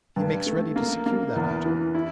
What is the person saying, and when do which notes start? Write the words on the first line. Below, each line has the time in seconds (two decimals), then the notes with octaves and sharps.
He makes ready to secure that object.
0.16 G2
0.46 A3
0.76 A#3
1.06 A#3
1.36 E2
1.65 E3
1.95 E4